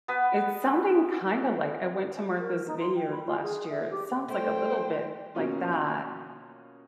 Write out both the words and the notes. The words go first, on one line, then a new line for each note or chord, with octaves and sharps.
It's sounding kinda like I went to Martha's Vineyard last year. It sounds like a little bit like that.
B3 B4
A#4
D#4
C6
G5
B5
F4
G#4
E5
G4
A3 C5 G5
B2 A#3 C#4 F4